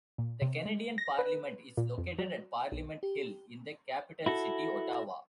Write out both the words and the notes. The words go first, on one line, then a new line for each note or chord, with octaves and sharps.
The Canadian Parliament is located at Parliament Hill in the capital city, Ottawa.
A#2
C3
G#3
A#6
B4
A#2
F2
F#3
B1
G4
E4 F#4 A4